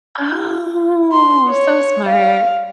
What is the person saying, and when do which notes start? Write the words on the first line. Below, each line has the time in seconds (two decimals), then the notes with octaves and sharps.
Oh, so smart.
1.12 C6
1.50 C#5
2.09 F5